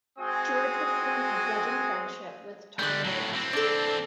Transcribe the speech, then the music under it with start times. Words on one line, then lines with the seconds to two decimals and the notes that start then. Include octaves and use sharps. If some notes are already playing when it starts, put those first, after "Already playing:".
George would form a grudging friendship with Tom Willis.
0.19 G#3 C4 F#4 G#5 D#6
2.79 D3 G3 F#6 G6
3.05 A2 F#3
3.33 E3 C4
3.53 D4 A4